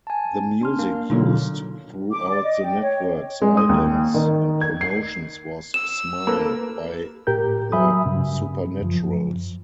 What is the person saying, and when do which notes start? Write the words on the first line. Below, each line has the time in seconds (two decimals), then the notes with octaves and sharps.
The music used throughout the network's idents and promotions was "Smile" by The Supernaturals.
0.07 G#5 A5
0.61 D4 C6 F6
0.79 A#3
1.10 B2 D3 F#3 D#4 F4
2.11 D6
2.29 D5
2.44 D#5
2.64 G5
2.81 C#5
3.42 G#3
3.57 D#6
3.69 D#2
4.14 D#3
4.61 G#6
4.81 C7
5.74 E6 E7
6.27 A#3 A4 B4
7.27 A2 G4 A#4 G6
7.72 F#3 E5 G#5 B5 D#6
8.06 G2 C#3
8.81 F#2 F3